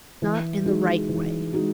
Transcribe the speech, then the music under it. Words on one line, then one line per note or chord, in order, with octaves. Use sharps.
'Not in the right way.
E3
G#3 D#4 F#4
E3
G#3 D#4 F#4